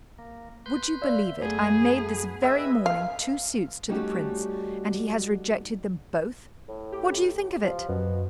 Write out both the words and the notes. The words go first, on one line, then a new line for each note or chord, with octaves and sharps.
Would you believe it, I made this very morning two suits to the Prince, and he has rejected them both; what do you think of it?'
A#3
B4 C6 G6
D5 E5 F5
F#2 A3 B3 G#4
G#4 B4 D#5 E5 G5 E6
F5
G3 A3 C#4 D#4 F#4 G4
A2
G4
F3
F#2 B2